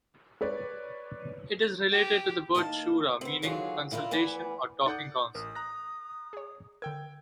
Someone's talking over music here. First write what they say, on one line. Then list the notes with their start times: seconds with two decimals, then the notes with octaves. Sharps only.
It is related to the word shura, meaning consultation or "taking counsel".
0.41 B4 C#5 D5
1.92 G4
2.55 D#3 A#3 D#5 G5 A5
3.21 B3 C4
3.42 D3 D#3 F#3 F4 F#4 G#4
3.91 A#2 E4 F4 A4 A#4
4.11 D2 E3 B3 D5 G#5
4.86 D#4 A4 D5 F#5 D#6 G6
5.35 A1 A#4 D#6
5.55 A#5 F#6 A#6
6.33 G#4 C#5
6.82 D3 A#4 G5 E6 G#6